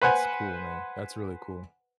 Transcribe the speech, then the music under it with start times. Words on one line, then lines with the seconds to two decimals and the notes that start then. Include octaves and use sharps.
That's cool, man. That's really cool.
0.02 B4 C5 F#5 G#5